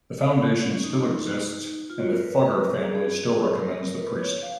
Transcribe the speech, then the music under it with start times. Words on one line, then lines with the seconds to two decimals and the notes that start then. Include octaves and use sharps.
The foundation still exists and the Fugger family still recommends the priest.
0.21 C#4
0.63 C#4
0.84 D#4
1.90 F4
2.00 F#4
2.11 A#4
2.21 B4
2.31 C#5
2.46 B4
2.60 A#4
2.74 G#4
2.95 G#4
3.58 A#4
4.00 B4
4.21 C#5
4.42 F5